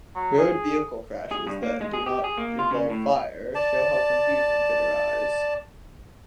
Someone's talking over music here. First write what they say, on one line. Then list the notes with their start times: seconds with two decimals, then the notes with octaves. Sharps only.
Road-vehicle crashes that do not involve fire show how confusion could arise.
0.15 F#3
0.38 G#4
1.31 G#4
1.47 G2
1.63 A#3
1.81 G#3
1.93 G#4
2.06 G4
2.24 G#4
2.37 A#3
2.59 F4
2.71 C#3
2.90 A2
3.55 D5 A5